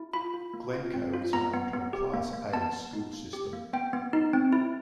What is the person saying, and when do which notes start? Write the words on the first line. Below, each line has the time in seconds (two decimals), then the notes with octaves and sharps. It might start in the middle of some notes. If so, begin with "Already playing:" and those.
Glencoe is home to a Class A school system.
Already playing: E4
0.13 F4 B5
0.34 F4
0.54 A#3
0.73 F4
0.94 C4
1.14 F4
1.33 B3 A#5
1.53 B3
1.73 B3
1.93 G4
2.14 A#3
2.33 A#3
2.53 B3 A5
2.73 B3
2.93 D#4
3.13 A#3
3.33 G4
3.53 A#3
3.73 B3 G5
3.93 B3
4.13 D#4
4.33 C4
4.53 E4